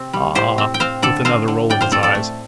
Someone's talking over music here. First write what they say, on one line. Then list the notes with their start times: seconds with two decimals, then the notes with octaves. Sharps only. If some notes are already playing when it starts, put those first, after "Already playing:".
'Ah!' with another roll of his eyes.
Already playing: C3 C4
0.13 G3
0.35 A2 G4 C5
0.58 C4
0.74 G5
0.80 C4 C5 F5
1.02 D3 A4 D5
1.25 C4 C5 F5
1.48 D3
1.70 A2 D5 G5
1.81 C5 F5
1.91 C4 A4 D5
2.03 A4 D5
2.15 A3